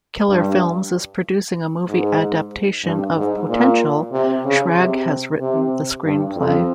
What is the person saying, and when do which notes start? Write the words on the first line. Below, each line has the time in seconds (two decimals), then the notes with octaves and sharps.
Killer Films is producing a movie adaptation of "Potential"; Schrag has written the screenplay.
0.29 G2
1.89 G#2
2.85 G2
3.16 G#2
3.49 A#2
4.12 C3
4.45 C#3
4.77 C3
5.40 C3
6.04 G2
6.36 F2